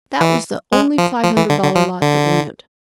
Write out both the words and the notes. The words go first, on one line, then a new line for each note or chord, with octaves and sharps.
That was the only five-hundred-dollar lot that went.
E3
G#3
F3
F3
E3
D3
D3
F3
D3